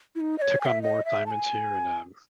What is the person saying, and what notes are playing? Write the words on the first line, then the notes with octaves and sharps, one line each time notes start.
took on more assignments here and, um,
E4
D#4
D#5
C#5
G#5
E5
D#5
E5
A5
G#5